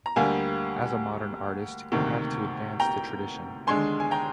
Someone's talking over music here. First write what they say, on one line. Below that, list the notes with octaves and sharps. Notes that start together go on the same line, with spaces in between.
As a modern artist you have to advance the tradition.
A#5
D2 D3 G3 A#3 F5 G#5
D2 C3 D#3 A#3
G5 A#5
D#2 D3 G#3 D4 G#5 C6
G#5
G5 A#5